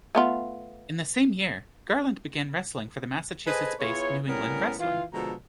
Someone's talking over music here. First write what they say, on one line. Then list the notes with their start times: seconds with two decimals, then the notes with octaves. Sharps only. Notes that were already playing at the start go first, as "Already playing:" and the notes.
In the same year, Garland began wrestling for the Massachusetts-based New England Wrestling.
0.15 A3 B3 F4
3.46 G#4 A4 B4 C5 D#5 G#5
3.80 B3 E4 F4 G#4 C#5
4.28 A2 G3 B3 C#4 A#4 G#5
4.79 E3 F4
5.14 B2 D3 F3 G#3 A4 A#5